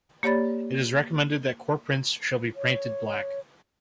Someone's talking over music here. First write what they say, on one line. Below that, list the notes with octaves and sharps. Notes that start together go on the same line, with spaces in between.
It is recommended that core prints shall be painted black.
A#3 G4 C#5 D5 B5 A6
C#5